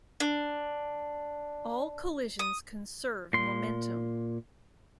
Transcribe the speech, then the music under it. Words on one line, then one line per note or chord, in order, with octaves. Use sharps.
All collisions conserve momentum.
D4
D#6
A#2 C6